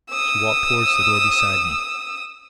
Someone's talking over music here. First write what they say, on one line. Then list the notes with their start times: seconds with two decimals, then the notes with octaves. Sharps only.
She walked towards the door beside me.
0.10 D#6 E6